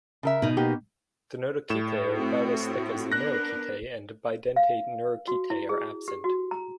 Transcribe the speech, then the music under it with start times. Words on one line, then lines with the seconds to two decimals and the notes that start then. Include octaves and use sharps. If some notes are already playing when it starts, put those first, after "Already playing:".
The notochaetae are about as thick as the neurochaetae and bidentate neurochaetae are absent.
0.23 C#3 A#4 E5
0.42 B2 D#4
0.57 A#3 B3 G4
1.70 A2 E7
2.14 A3 C4 F#4
3.12 B3 D4 A#4 F#6 A#6
4.56 F5
5.28 F#4
5.50 E4
5.69 G#4
6.08 G4
6.24 F#4
6.51 A#5